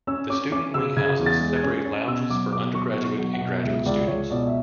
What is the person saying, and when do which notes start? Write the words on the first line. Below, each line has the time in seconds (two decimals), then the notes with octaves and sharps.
The student wing houses separate lounges for undergraduate and graduate students.
0.07 C#4 E6
0.30 C#4 D6
0.52 C#4 D6
0.74 C#3 E6
0.97 C#3 G#6
1.19 E2
1.26 A6
1.41 G#3
1.56 G#6
1.63 C#4
1.86 C#4
2.07 B2 E6
2.30 F#3 D6
2.52 B2 D6
2.75 F#3 C#6
2.97 B2
3.04 C#6
3.19 F#3
3.33 F#5
3.41 B2
3.63 C#2 E5
3.86 C#2 D5
4.08 C#2 C#5
4.30 B2 D5
4.47 E5